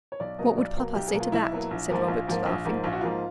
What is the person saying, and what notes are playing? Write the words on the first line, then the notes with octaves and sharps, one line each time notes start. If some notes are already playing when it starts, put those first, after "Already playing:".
"What would papa say to that?" said Robert, laughing.
C#5
B1 D5
B2 F#3 A#3 D#5
B1 D5
B2 F#3 A#3
B1 G4
G#4
B2 F#3 A#3
F4
B1 E4
B2 F#3 A#3
A#1
G#2 F3 A#3
A#1 F4
G#2 F3 A#3
A#1
G#2 F3 A#3
A#1 F4
F#4
G#2 F3 A#3 F4